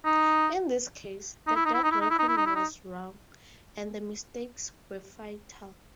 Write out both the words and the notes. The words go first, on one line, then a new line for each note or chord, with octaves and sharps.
In this case, the dead reckoning was wrong, and the mistakes were fatal.
D#4
D#4
E4
D#4
E4
D#4
E4
D#4
E4
D#4
E4
D#4
E4
D#4